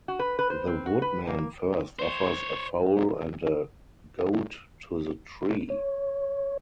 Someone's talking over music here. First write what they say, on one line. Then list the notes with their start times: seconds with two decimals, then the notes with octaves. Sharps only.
The woodman first offers a fowl and a goat to the tree.
0.08 F#4
0.19 B4
0.39 B4
0.50 C5
0.67 C4
0.86 F#4
1.02 B4
1.27 A#3
1.99 C5 C#5
5.70 C#5